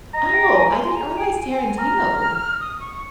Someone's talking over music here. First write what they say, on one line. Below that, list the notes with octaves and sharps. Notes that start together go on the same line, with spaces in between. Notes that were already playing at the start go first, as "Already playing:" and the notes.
Oh, I didn't realize Tarantino,
D#5 A#5
G5
G#5
C6
G#5
A#5
G5
G#5
G#5
A#5 F6
D#6
C#6